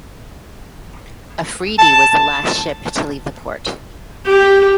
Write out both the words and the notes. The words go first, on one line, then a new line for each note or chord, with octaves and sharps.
"Afridi" was the last ship to leave the port.
A5
G4